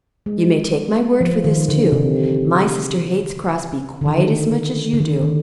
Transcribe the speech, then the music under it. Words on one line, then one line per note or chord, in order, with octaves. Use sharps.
You may take my word for this, too,--my sister hates Crosbie quite as much as you do.
G#3
F3
D#3
D3
C3
D3
D#3
D3
D#3
D#3